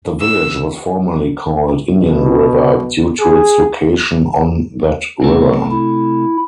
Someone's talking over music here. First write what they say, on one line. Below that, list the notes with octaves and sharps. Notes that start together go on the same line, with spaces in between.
The village was formerly called "Indian River" due to its location on that river.
E6
B2
G#4
C3 A3
E4